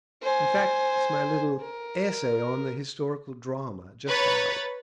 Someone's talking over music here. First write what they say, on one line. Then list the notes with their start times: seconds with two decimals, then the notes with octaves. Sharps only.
In fact, it's my little "Essay on the Historical Drama," just out.'
0.22 C5 G#5
1.60 A#4
4.07 B4 C#5 A#5 B5 A6